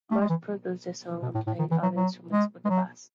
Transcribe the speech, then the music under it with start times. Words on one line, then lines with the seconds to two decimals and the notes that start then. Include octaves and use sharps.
Mars produced the song and played all the instruments but the bass.
0.11 A3
0.20 G#3
0.29 E3
1.22 B2
1.34 A2
1.47 A2
1.59 D#3
1.71 E3
1.83 F#3
1.96 F#3
2.32 G#3
2.65 G#3
2.70 F#3